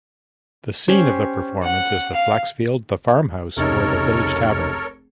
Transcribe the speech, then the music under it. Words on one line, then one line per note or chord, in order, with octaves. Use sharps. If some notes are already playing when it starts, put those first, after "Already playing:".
The scene of the performance is the flaxfield, the farmhouse, or the village tavern.
C#4 G4 C5
F#5
F5
F1 C#2 D#4 A4 A#4 C#5